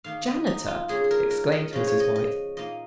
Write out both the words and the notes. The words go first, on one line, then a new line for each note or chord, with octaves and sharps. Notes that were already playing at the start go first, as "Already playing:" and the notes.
"Janitor!" exclaimed Mrs. White.
D#3 A#3 D#4 F5
D#5
D#4
F4
A#2 G#3 C#4 G#4
G#4
A#4
A#4
D#5
C#3 F3 G#3 C#4 D#5
C#5
D#5
D#5
A#2 A#3 D#4 D#5